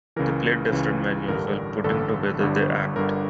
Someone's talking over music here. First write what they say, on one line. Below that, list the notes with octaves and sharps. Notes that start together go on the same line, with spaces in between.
They played different venues while putting together their act.
C#2 C#3 E3 A#4
C#2 C#3 E3
A1 G2 D3 G3 A#4
A1 G2 D3 G3 A4
G1 G2 D3 G3
G1 G2 D3 G3 A#4